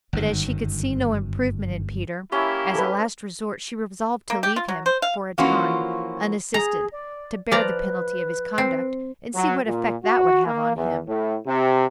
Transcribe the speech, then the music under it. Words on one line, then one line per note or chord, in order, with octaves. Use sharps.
But as she could see no improvement in Peter, as a last resort, she resolved to leave him, for a time, unassisted, to bear the penalty of his conduct, and see what effect that would have on him.
G1 F#2 D#3
A#3 C#4 E4 G4
A4 B4
A#3
G4
F4
F#3
C5
F5
E3 F3 A#3 C#4 F4 F#4
G#4 A#5
D5
F3 B4 D5 A#5
C4
F#3
A#2
F#4
A#3
E2
A2
C3